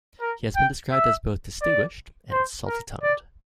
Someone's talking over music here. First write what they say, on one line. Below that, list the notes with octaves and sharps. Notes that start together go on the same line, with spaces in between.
He has been described as both "distinguished" and salty-tongued.
A#4
G5
E5
D5
C5
A#4
D5